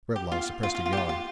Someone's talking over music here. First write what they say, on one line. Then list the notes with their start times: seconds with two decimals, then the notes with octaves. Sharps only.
Reblong suppressed a yawn.
0.16 G4
0.32 F4
0.63 F4
0.75 F4
0.86 F4
0.93 G4
0.97 F4
1.09 F4